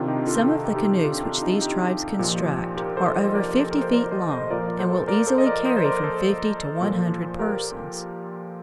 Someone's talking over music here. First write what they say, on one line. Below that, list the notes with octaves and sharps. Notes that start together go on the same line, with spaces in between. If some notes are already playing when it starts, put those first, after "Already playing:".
Some of the canoes which these tribes construct are over fifty feet long and will easily carry from fifty to one hundred persons.
Already playing: C3 D#3 D4 F4
D#4 G4
F4 A4
F4 A4
D#4 G4
D4 F4
D4 F4
D#4
D#4 G4
A#2 F3
G4 A#4
A4 C5
C5 D#5
A#4 D5
A4
A#4
C5
A#4 D5
C5 D#5
C5 D#5
A#2 F3 A#4 D5
D5
A4 C5
A#4 D5
A4 C5
D#5
A#4 D5
C5 D#5
C5
A#4 D5
A4 C5
A#2 F3
G4 A#4